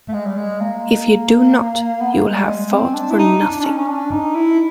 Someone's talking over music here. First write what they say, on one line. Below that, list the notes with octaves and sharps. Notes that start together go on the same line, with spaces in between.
If you do not, you will have fought for nothing.
A3
G#3
G3
G#3
A#3
B3
A#3
G#3
G3
G#3
C4
D4
E4
D#4
D4
D4
C#4
C#4
D4
D#4
E4